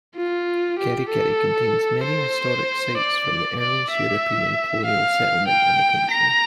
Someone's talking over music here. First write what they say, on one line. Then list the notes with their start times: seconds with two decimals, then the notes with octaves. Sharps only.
Kerikeri contains many historic sites from the earliest European colonial settlement in the country.
0.16 F4
0.79 G4
1.10 A4
2.04 C5
2.98 D5
3.61 D5
3.92 E5
4.86 F5
5.48 G5
6.11 A#5